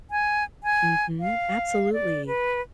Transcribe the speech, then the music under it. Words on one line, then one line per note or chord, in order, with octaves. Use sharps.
Mhm. Absolutely,
G#5
G#5
F5
D5
B4